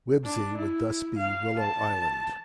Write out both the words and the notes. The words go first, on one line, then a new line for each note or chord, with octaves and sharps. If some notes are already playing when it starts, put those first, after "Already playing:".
Wibsey would thus be "willow island".
D4
E4
F5
A5